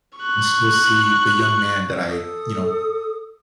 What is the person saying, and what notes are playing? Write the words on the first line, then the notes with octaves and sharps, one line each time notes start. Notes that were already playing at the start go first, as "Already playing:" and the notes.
and still see the young man that I, you know,
C#6 F#6
A4 D#6